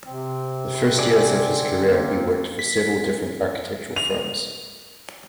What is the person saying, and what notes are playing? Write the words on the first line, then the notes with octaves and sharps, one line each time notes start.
The first years of his career he worked for several different architectural firms.
C3 C4
D3 G#4 D5
A#3
B6
F7